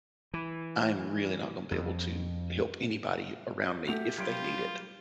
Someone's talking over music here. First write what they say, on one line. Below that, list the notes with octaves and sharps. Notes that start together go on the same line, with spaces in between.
I'm really not gonna be able to help anybody around me if they need it.
E3
F2
A3 F#4 G4 F7
F#3 G3 F4 G#6 D7